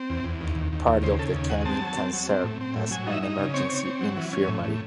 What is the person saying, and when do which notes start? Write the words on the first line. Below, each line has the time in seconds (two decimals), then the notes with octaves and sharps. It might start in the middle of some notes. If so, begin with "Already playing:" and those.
Part of the cabin can serve as an emergency infirmary.
Already playing: C4
0.10 E2
0.24 E2
0.41 D#2
0.56 D#2
0.72 D#2
0.87 D#2
1.03 C#3 C5
1.19 C#3 A4
1.34 D#2
1.50 G#3 F#5
1.65 C4 A5
1.81 F#3
1.97 C4
2.13 F#3
2.29 C4
2.44 A2
2.61 C4
2.76 A2
2.91 F#3 G#5
3.07 D#4
3.12 E5
3.23 D#4
3.39 C#3
3.54 C4 C#5
3.69 C4
3.86 C4
4.01 F#3
4.17 E3
4.33 C#4
4.48 A2
4.64 A2